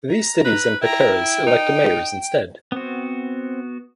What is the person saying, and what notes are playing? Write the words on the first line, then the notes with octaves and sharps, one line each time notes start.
These cities and Pateros elect mayors instead.
A#5
B4
E4 G5 A#5
G5
D#4
B3 C4 F#4